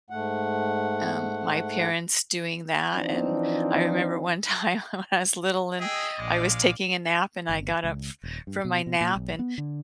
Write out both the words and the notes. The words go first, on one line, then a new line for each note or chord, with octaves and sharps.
um, my parents doing that, and I remember one time when I was little, and I was taking a nap and I got up f from my nap, and,
G#2 A3 F#5
E3 F3 C4 D4 D#4
G#4 D#5 G5 E6
A#1 G#3 D5 F5
G1
C#2
D#1
G2
B2
B2
A#2
B1
B3
D3